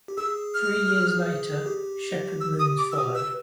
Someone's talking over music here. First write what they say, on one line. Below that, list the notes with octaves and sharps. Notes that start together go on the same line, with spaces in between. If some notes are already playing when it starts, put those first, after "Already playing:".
Three years later, "Shepherd Moons" followed.
G4
G#4 E6
F6
G4
E6
D#6
D6
E6
D#6
B4 E6